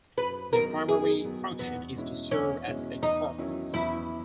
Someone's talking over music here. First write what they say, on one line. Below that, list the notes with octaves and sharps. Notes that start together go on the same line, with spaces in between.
Their primary function is to serve as sex partners.
F#2 B4
D#3 F#3 B3 D#4 A#4
F#2 G#4
D#3 F#3 B3 D#4
E2 B3
B2 G#3 C#4 E4
E2 C#4
B2 G#3 C#4 E4
E2 D#4
D#3 F#3 C#4 E4
E2 E4